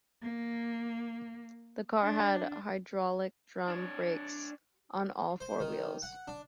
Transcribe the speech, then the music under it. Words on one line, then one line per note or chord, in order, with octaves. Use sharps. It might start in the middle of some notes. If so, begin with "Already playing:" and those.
The car had hydraulic drum brakes on all four wheels.
A#3
D4
D4 C#5
C5
D#3
F#5
D4